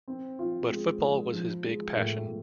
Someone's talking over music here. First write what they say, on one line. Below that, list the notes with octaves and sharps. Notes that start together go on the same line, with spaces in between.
But football was his big passion.
C4
F4
G#3
G#3
F3
G#3
A2
A2